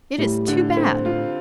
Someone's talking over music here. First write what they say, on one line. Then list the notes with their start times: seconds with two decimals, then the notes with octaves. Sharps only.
It is too bad.
0.18 A2 G3
0.48 D3
0.77 C4
1.06 F4